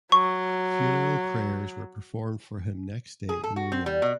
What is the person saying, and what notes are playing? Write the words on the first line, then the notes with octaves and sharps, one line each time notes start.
Funeral prayers were performed for him next day in Riyadh.
F#3 C#6
G#4
A4
F#4
C4
G3
B2